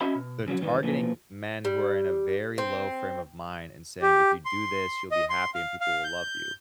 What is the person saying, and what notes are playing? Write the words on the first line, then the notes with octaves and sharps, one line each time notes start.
They're targeting men who are in a very low frame of mind and saying, "If you do this, you'll be happy and people will love you."
C#4 F#4 D#5 E5 B5
B2
B1 C#3 F3 F#3
G2 D#3 E3 G3
A#2 E3 F3
G3
C4
G4
C6
D#5
C6
F5
F5
G6